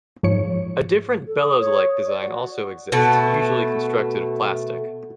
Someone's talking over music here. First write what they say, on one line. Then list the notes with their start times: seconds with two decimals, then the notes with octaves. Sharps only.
A different bellows-like design also exists, usually constructed of plastic.
0.23 G#2 F3 C#5 C#7
1.27 A4
1.40 D#6
1.59 C#5
2.06 D5
2.20 F#4
2.92 B2 A3